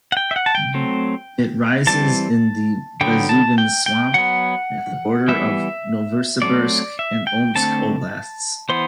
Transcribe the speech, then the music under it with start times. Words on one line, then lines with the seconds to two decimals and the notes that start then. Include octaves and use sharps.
It rises in the Vasyugan Swamp at the border of Novosibirsk and Omsk oblasts.
0.12 F#5
0.17 G5
0.31 E5
0.36 F#5
0.46 A5
0.55 G5
0.74 F#3 A3 C4
1.87 E3 G3 C4 A5
3.01 D3 F#3 B3 G5
3.29 A5
3.58 G5
3.86 G5
4.14 F#3 B3 F#5
5.28 E3 G3 B3 E5
6.42 F#3 A3 C4 D5
6.99 E5
7.27 G5
7.55 D3 A3 C4 A5
8.69 E3 B3 C5